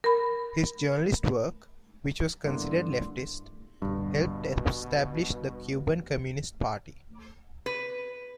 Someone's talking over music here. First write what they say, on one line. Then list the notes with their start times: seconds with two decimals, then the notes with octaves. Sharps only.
His journalistic work, which was considered leftist, helped establish the Cuban Communist Party.
0.04 A#4 B5
2.45 G2 D3 A#3 B3 D4 E4 C6
3.82 D#1 G2 B2 D3
7.66 B4